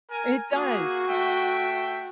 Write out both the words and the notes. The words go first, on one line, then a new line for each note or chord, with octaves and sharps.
It does.
A#4 G#5
A#3 F#4 G#4
A3 E5 G5